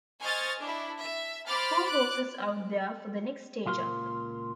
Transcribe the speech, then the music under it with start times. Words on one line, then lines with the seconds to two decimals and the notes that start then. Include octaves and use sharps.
Four horses out there for the next stage up!
0.22 C5 D#5 G#5 C#6 F6 A6
0.60 D4 E4
1.01 E5
1.47 C5 B5 D6 F6 A6
1.85 D6 F#6
3.66 C#2 A#2 F4 A#4 C6